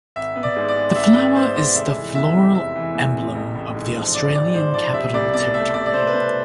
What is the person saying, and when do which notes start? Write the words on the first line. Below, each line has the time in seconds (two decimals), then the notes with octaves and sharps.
The flower is the floral emblem of the Australian Capital Territory.
0.16 G#1 E5
0.36 B3
0.43 D5
0.56 G#2
0.68 D5
0.76 G#3
0.95 G#1 E5
1.15 B3 D5
1.35 G#2 C5
1.56 G#3 D5
1.75 F1 E5
1.95 E3
2.15 E2 E5
2.34 C3
2.55 F1 E5
2.75 E3
2.95 E2
3.15 C3
3.35 A1
3.55 A1
3.75 G#2
3.95 F3
4.14 A1 D5
4.35 A1 D5
4.54 G#2 C5
4.74 F3 D5
4.94 C2 E5
5.14 C2 D5
5.34 B2 D5
5.54 A3 E5
5.74 C2 D5
5.86 D5
5.93 C2 C5
6.07 B4
6.13 B2 C5